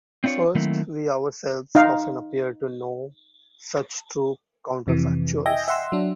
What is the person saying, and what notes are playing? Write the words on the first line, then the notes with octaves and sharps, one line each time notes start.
First, we ourselves often appear to know such true counterfactuals.
C4 D4 E4 F4 C#5
D#3 F#3 A3 A#3 C4 E4
D#4 D#5 F5
F2 C3 E3
D#5 E5 G5 G#5 G6 A#6
E5 F#5 C6 E6
F#3 D4